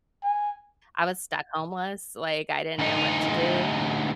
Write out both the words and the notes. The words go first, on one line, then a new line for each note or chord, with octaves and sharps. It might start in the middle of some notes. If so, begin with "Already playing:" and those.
I was stuck homeless, like, I didn't know what to do.
G#5
D2 D#4